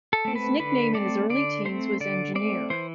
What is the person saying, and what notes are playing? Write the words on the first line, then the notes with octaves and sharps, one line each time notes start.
His nickname in his early teens was "Engineer".
A4
A3 C4
B4
D3 B4
A3 C4 D5
D3 D5
A3 C4 C5
D3 D5
A3 C4 D5
E3 C5